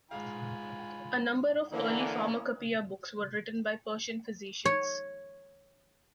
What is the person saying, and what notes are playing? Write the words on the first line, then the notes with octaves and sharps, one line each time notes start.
A number of early pharmacopoeia books were written by Persian physicians.
G#2 G#3 F4 F5 G#5 B5
D3 E3 A#3 C#4 E4
C#5